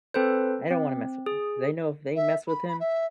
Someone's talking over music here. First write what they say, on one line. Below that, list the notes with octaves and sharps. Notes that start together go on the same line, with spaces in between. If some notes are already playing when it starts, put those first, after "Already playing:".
I don't wanna mess with him, 'cause I know if they mess with him,
C4 A4 B4 C5
C4
G#4
E5
B5
B5
E5